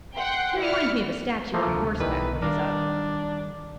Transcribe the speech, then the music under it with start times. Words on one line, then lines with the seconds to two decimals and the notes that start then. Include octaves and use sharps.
He reminds me of a statue on horseback, when he's up.
0.16 F#5 G5 C6
0.60 E4 D5 F6 C#7
1.54 F3 A3 A#3
1.67 D2 C3
2.00 B1 D#3 E3 G3 B4
2.42 D#3 G3 D4 A#4 F5